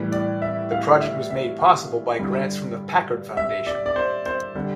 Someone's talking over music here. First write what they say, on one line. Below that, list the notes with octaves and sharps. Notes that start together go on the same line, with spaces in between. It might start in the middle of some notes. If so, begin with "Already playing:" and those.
The project was made possible by grants from the Packard Foundation.
Already playing: A2 E3 G3
D5
E5
F5
E5
E5
F5
G2 D3 G3
E5
D5
D5
C5
C5
D3 G3